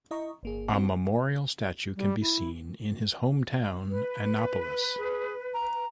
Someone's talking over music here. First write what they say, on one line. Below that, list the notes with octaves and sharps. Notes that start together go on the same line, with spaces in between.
A memorial statue can be seen in his hometown Anopolis.
E4 D#5 A#5 C#6
G1 A#3 G#4
C4 F#4
G3
E4
B4
G#4
A#5